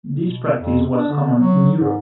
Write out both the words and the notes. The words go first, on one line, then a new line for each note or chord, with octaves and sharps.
This practice was common in Europe.
B2
F2
D4
D3
F#3
G#2